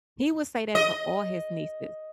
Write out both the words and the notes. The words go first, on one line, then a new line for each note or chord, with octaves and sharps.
He would say that to all his nieces.
D#5